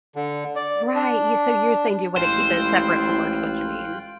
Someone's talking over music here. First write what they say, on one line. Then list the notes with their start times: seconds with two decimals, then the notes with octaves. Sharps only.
Right. You so you're saying you wanna keep it separate from work, is what you mean.
0.16 D3
0.56 D5
0.95 D4
2.17 A1 G#3 E4 F4 C5 G5 F#6